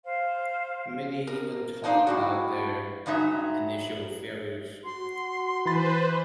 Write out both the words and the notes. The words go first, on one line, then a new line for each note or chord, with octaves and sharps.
Many even talk about their initial failures.
C5 F5
A#4
D4 D#4 C5 F5
A2 G3 F#4
G2 F#3 G#3 D#4 E5
F#4 C6
E3 B4 C5 B5 A6